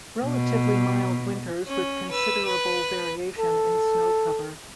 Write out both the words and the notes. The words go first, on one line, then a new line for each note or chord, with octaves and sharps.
Relatively mild winters with considerable variation in snow cover.
B2
C#4
B4 E6
B4 F#6
A4